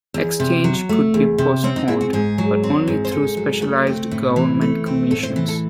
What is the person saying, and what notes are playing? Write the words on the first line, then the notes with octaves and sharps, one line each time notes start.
Exchange could be postponed, but only through specialised government commissions.
E2
C3
F#3
A3
E2
C3
C4 C#4
D#4
G#2 E4
F#4
G#2 G#4
F#3
C4
G#2
C5
G#2 A4
F#3
A3
C4
A2
E3
A3
C4
A2 A4
C5
E3
A4